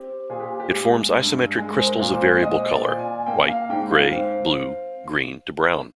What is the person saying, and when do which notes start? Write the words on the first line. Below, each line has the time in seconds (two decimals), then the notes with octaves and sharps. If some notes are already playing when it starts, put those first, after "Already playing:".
It forms isometric crystals of variable color: white, grey, blue, green, to brown.
Already playing: C4 G4
0.30 A#2 G#4
0.40 G4
0.60 G4
0.73 G#3
1.14 G2
1.57 G#3 G#4
1.76 C5
1.86 A#4
1.99 A#2
2.13 C5
2.42 C4 D#5
2.71 D5
2.84 A#2
2.99 G#5
3.27 A#3 G5
3.49 F5
3.69 G#2 G5
3.91 F5
4.12 C4